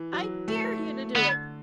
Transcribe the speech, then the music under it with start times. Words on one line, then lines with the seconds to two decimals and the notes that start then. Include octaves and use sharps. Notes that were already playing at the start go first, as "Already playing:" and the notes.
I dare you to do it!
Already playing: E3
0.13 F#3
0.48 A3
1.15 D3 B3